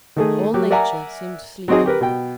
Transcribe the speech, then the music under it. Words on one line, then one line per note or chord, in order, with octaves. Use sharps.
All nature seemed sleeping.
D#3 A3 G#4
F#3 G4
A#4 D5 E5 F#5 G#5 A#5
F#3 C4 D#4 F#4 G#4
G4 A#4 B4
B2 G5